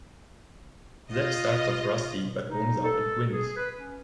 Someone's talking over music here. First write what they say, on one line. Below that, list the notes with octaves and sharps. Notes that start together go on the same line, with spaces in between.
Zeb starts off rusty, but warms up and wins.
F4 D#5
D#4
A4
G#4
B4
C#4